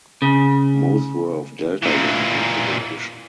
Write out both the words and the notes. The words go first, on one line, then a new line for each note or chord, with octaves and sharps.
Most were of delta wing configuration.
C#3
A#2 E3